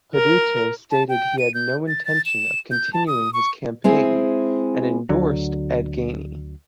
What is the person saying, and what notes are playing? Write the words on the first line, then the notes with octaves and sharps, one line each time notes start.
Peduto stated he had no intention of continuing his campaign and endorsed Ed Gainey.
A#4
A5
G5
D#7
G6
A6
A6
E7
G6
A5
D#6
C#6
G#3 C4 E4 G#4
D2 D3 F#3